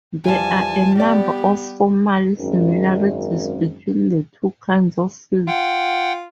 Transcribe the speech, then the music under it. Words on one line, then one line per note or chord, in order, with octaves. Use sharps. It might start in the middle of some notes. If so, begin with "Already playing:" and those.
There are a number of formal similarities between the two kinds of fields.
E2 F3 G3 G#5 A5
G3 B3 G4 D5
G#1 F#2
F4 F#5 G5